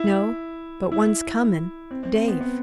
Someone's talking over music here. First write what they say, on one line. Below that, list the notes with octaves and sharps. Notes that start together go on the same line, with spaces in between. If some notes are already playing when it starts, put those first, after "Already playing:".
"No, but one's comin'--Dave."
Already playing: E4
E4
C4
C4
C4
B3
B3